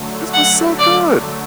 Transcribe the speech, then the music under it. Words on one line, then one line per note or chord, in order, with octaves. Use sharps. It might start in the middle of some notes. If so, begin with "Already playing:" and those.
this was so good.
Already playing: D3 F#3 A3
F#5
D5